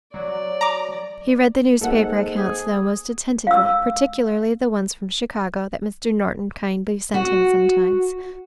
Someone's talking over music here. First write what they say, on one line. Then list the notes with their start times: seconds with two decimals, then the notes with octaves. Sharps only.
He read the newspaper accounts, though, most attentively, particularly the ones from Chicago that Mr. Norton kindly sent him sometimes.
0.14 F#3 D5
0.61 A#5 D6
1.81 G#2 A#3 A4 F#5
2.37 G#4
3.47 F5 E6
7.14 F#4